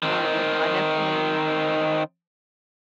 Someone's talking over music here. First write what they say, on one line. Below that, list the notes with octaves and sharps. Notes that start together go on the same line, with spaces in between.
um, and so I definitely
D#3 C4